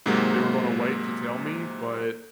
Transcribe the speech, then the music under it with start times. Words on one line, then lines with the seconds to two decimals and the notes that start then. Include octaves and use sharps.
they were gonna wait to tell me, but
0.06 G#2 C3 F#3 G#3 A#3